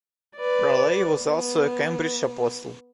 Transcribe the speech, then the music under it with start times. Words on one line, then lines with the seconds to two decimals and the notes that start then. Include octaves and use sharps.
Raleigh was also a Cambridge Apostle.
0.37 B4 D5
1.23 B3